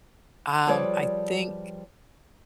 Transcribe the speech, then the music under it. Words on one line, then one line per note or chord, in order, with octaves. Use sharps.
i um, I think
F3 G3 G#4 B4 C#5 D5